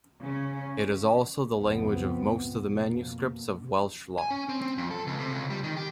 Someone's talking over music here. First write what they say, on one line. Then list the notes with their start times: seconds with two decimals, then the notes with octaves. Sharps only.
It is also the language of most of the manuscripts of Welsh law.
0.19 C#3 C#4
1.58 C#2 F#2 A2 F3 B3 C4
2.61 F2 B2 A#3
4.18 G#5
4.30 C#4
4.49 C4
4.61 C4
4.78 F2
4.91 A4
5.07 C#2
5.19 C3
5.32 C#2
5.50 G3
5.64 D#3
5.77 G4